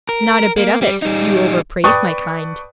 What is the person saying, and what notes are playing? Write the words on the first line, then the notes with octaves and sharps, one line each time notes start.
'Not a bit of it; you overpraise my kind.'
A#4
A#3
G3
G3 D#4
B4 D5 G5 A5 C#6 D#6